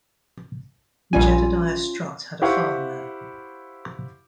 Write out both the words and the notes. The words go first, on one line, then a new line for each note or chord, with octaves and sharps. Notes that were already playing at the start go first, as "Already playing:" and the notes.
Jedediah Strutt had a farm there.
A#1 G3 C#4 F4 G#5
E4 G4 C5 F5 F#5 C#6